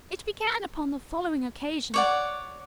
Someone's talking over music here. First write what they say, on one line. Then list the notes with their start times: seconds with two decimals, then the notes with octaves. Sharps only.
It began upon the following occasion.
1.94 C#5 D5 F#5